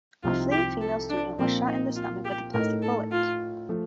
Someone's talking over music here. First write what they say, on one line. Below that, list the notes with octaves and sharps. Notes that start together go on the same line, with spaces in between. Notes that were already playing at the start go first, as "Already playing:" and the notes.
A fleeing female student was shot in the stomach with a plastic bullet.
C2 C3 F3 C4 D#4 F4
G4
A4
D4
A#2 F3 A#3 C4 F4
D#4
F4
G4
A2 A3 D#4 A#4
A4
F4
F3 A3